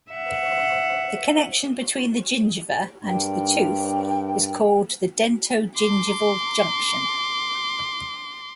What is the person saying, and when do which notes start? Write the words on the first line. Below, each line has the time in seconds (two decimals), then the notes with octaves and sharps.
The connection between the gingiva and the tooth is called the dentogingival junction.
0.11 E5 F#5
3.04 G2 D4 A#4 G5
5.76 C6 D6